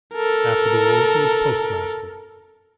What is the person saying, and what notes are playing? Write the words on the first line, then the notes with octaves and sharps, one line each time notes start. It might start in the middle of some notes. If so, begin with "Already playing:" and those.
After the War he was postmaster.
A4 A#4